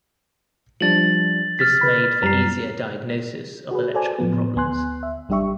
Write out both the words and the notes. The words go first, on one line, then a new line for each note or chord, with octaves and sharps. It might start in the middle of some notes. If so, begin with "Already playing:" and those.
This made for easier diagnosis of electrical problems.
F3 G3 D4 A6 F#7
F6 A6 B6
B4 B5
F#2 G3 A#5 C7
F#4 G#4 B4
F#4 A4 C5 D5 G#5
A2 F3 B3
D2 B3 G#5 C6 F#6
E5
G#1 G3 D4 G4 E5 C#6